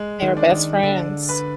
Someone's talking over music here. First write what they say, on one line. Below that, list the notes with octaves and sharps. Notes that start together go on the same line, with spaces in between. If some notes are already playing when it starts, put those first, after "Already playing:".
They were best friends.
Already playing: G#3
D#3
D4
D#3
D3 D4
B4